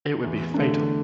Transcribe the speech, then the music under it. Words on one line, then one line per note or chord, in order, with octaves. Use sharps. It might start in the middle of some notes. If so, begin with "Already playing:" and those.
It would be fatal.
E2
D3 A3 D4